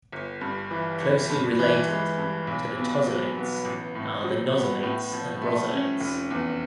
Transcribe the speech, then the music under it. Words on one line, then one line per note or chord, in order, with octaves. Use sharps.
Closely related to the tosylates are the nosylates and brosylates.
G1
G2
E3
G1
G2
E3
G#3
G2
B1
B2
F#3
B3
A1
A2
F#3
B3
A2
F3
A3
C#4
F1
E2